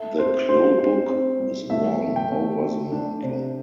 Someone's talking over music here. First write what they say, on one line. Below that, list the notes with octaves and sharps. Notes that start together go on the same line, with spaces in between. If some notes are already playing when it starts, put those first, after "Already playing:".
The klobuk is worn over the mantle.
Already playing: A4 E5
C4 C5
A4 C5
C4 C5
C4
G3
A3 E5
A3
G5
A3
A3
D4
C3